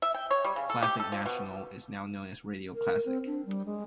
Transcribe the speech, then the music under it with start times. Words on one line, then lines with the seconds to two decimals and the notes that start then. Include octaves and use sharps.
Klasik Nasional is now known as Radio Klasik.
0.02 E5
0.14 G5
0.31 C#5
0.45 G3
0.56 C#3
0.70 A4
0.83 G4
1.00 A4
1.12 F3
1.26 B2
2.74 A#4
3.05 C4
3.26 D4
3.46 G3
3.66 G#3